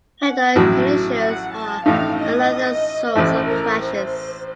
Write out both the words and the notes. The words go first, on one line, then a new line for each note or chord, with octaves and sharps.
Head-on collisions are another source of crashes.
F#5
A1 A2 F#3
F#5
A5
A1 A2 A3 D#4 F5
D#5
A1 A2 A3 C5
A#4
C5